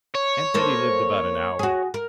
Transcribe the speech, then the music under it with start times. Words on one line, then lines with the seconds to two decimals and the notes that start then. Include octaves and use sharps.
Aunt Betty lived about an hour.
0.15 C#5
0.54 A#3 A4 C5
1.59 F#4 G#4
1.94 A#4